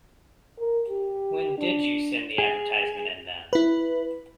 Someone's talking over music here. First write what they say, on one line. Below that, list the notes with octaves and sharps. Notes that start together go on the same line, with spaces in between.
When did you send the advertisement in, then?
A#4
G4
D4
G#4
E4 B4